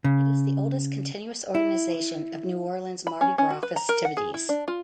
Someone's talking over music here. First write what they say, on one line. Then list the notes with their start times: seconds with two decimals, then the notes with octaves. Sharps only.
It is the oldest continuous organization of New Orleans Mardi Gras festivities.
0.04 C#3
1.55 E4
3.07 B5
3.21 C#4
3.38 C#4
3.50 F#4
3.63 B4
3.76 A#5
3.89 A#4
4.05 F#5
4.17 G#4
4.34 E4
4.49 D4
4.68 F4